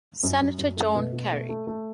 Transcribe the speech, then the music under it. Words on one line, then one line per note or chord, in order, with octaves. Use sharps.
Senator John Kerry.
F#2
F#2
F#2
A3
B2
B2
A3
A3
A3